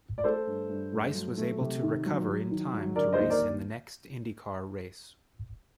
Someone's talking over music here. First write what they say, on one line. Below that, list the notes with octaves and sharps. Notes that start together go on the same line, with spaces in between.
Rice was able to recover in time to race in the next IndyCar race.
D5
A3 A4 C5
G2
G2
A3
F#3
A3
C3
D#3
F#3
F#3
D#3
F#3
D3 A#4 D5
C5 D#5
D#2
A#4 D5